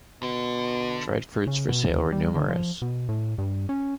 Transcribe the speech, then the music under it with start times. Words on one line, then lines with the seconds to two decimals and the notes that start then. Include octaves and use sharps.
Dried fruits for sale were numerous.
0.23 B2 D3
1.47 C#3
1.69 B2
1.89 D#2
2.12 G3
2.35 D3
2.49 F3
2.82 B2
3.09 A2
3.38 G2
3.69 C#4